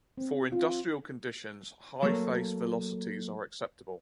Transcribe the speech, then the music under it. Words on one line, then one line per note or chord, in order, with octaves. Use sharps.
For industrial conditions, high face velocities are acceptable.
C4
F4
F#3 A3 A#3